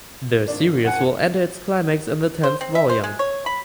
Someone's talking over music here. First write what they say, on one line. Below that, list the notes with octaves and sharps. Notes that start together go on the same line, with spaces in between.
The series will enter its climax in the tenth volume.
G#1 D4
F#1 F#5 G#5
C5
C4
E5
C5
G#3
C#5
B5